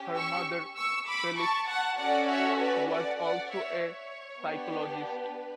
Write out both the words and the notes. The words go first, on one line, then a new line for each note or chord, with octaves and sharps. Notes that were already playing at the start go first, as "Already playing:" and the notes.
Her mother, Felice, was also a psychologist.
Already playing: C#4 G4
C#6 E6
C#6 E6
B5 D6
A5 C#6
F#5 A5
C#4 F#4 A4 D5 F#5
C#5 E5
B4 D5
D5 F#5
D5 F#5
C#5 E5
C#5
B3 D4 G4
B4